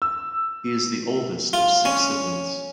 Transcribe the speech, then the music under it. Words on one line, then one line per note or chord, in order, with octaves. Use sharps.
He is the oldest of six siblings.
E6
F4
C#4